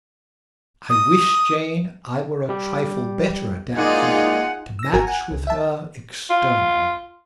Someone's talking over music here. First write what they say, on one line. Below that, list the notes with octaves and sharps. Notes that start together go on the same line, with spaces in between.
I wish, Jane, I were a trifle better adapted to match with her externally.
D#6
G3 G4
G#3 A#3 D#4 F4 G#4 D5 F#5
E6 A#6
G#1 F#4 A#4 G#5 A#5
F#5 G#5
C#2
E5 A5
F4